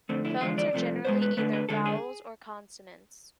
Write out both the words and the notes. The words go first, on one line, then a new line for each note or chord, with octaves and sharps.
Phones are generally either vowels or consonants.
F2 D3 A3 C4
E4
E2 D3 F3 G#3 F4
D5
C2 C3 F3 A3
B1 B2 G#3 C5
B4
D2 D3 F3 A3 B4
B4
D2 D3 G#3 A4
G#4